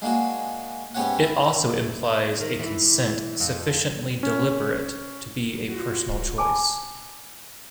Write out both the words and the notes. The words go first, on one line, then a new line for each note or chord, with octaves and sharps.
It also implies a consent sufficiently deliberate to be a personal choice.
G#3 A#3 D4 F#4 G#4
G#2 B3 C#4 G4 C#5 F#5
E4
D#3
E3
F2
C#4
F4 F#4
G#5 A5 B5 D6